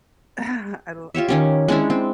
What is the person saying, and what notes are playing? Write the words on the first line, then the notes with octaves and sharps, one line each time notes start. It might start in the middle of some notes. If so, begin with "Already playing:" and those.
Ah, I l
F4 G4 C#5 E5
D#3 C#4 G4
G#3 C#4 D4 E4
C4